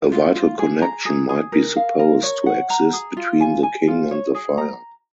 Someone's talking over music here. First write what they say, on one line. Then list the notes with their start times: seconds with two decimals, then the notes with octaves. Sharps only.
A vital connection might be supposed to exist between the king and the fire.
0.12 F4
0.35 F4
0.59 G#4
0.82 A#5
1.05 G#4
1.29 G#4
1.52 A#4
1.76 F5
1.99 A#4
2.23 C#5
2.46 F#5
2.70 A#5
2.93 G#4
3.17 F4
3.41 G#5
3.63 G#5
3.88 F4
4.11 C#5
4.35 G#4
4.58 A#5